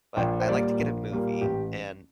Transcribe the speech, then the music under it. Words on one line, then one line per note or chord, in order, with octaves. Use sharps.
but I like to get a movie and,
A#1 G5
C5
A#2 G3 A#3 D5
A#1
A#2 G3 A#3
A1 G4